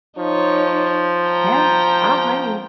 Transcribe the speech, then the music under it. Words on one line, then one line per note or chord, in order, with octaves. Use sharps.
Yeah. I don't blame you.
F3 D#4 C#5
G5 A#5